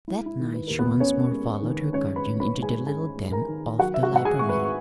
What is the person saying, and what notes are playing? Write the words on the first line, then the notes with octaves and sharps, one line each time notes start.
That night she once more followed her guardian into the little den off the library.
G#3 E4
E4
D#3
B4
D#2 A#4
B3 B4
B3 C#4 C#5
G#3
D#3
G#3 C#4 C#5
B4 B5
D#3
B4 B5
G#2
G#4 G#5
C#4 G#4 G#5
G#3
A#4 A#5
D#3
F#3 F#4 F#5
E5
F#4 F#5
G#2
F#5
G#4 G#5
G#1 C#6
B4 B5
C#6